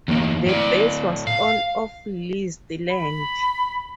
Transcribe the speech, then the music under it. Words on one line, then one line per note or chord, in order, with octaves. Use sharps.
The base was on of leased land.
E2 A#3
A2 D5
F5
B5